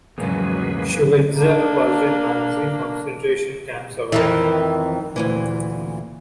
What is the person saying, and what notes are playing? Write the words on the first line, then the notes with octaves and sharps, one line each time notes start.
Schweitzer was a Nazi concentration camp survivor.
E2 G#2 C#3 F3 F#3 A#3 G#4 B4
A#3 D4
F2 D#3 E3
D2 A#2 E3